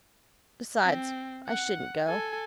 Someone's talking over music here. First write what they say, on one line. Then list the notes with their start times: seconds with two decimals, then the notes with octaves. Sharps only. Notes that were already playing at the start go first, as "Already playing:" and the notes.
Besides, I shouldn't go.
0.85 C4
1.47 F#5
2.07 A4 G#5